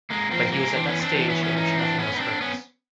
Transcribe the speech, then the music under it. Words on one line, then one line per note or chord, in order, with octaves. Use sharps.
But he was at that stage at which nothing else hurts.
G#3 A#3
F3 A#3 C4
G#3 A#3
E3 C4 D4
B3 C#4
C4 D4
E3 C4 D4
B3 C#4
B3 C#4
C#4 D#4
C4 D4
B3 C#4
D#4
C4 D4
B3 C#4